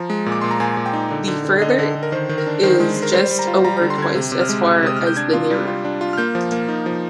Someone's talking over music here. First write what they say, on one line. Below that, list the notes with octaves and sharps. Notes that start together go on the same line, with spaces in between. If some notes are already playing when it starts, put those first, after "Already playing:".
The further is just over twice as far as the nearer.
Already playing: F3 A#5
G#3
A#2
D6
A#2 C6
A#5
A#2 G#5
A#2
G5
D#4
D3
D3
D3
D3 D#5
D3
D3
A#4
D#3 C5
D#3
A#4
D4
D#3 C5
G#3
G#3
A#4
G3 C5
G3
A#5
F4
G3 A#5
D3 A#5
C6
D3 G#6
C3
C3
F6
G#3
C3
C3 D#6
C3 F6
G6
D4 G#6
F4
G3
F4
D4
F4
F6
A#3 G6
F3
A#3
D#4
F3